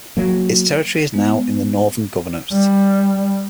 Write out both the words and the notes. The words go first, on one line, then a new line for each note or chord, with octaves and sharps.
Its territory is now in the Northern Governorate.
F#3 A#3
G#3 B3
G3